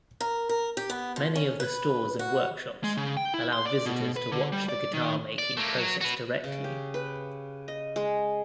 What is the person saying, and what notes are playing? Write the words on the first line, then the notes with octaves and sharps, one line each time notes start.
Many of the stores and workshops allow visitors to watch the guitar-making process directly.
A#4
A#4
G4
B3
F3
C#4
B4
F#4
G#3
C#3
G5
E4
C6
D5
B2
B4
D3
G3
D5
D#3
D5
A3 A#3
F#3
F#4 B4
C#3
G4
B4
D#5
G#3